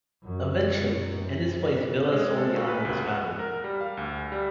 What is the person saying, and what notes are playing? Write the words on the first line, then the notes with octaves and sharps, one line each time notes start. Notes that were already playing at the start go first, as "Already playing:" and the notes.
Eventually, in its place Villa Soriano was founded.
F#2
F#2
G#3
A4
F#4
B4
C#2
F#5
A#4
G3
F5
D2
G3